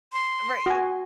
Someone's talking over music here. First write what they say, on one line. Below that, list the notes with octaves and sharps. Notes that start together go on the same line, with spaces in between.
Uh, right, e
C6
F#4 G#5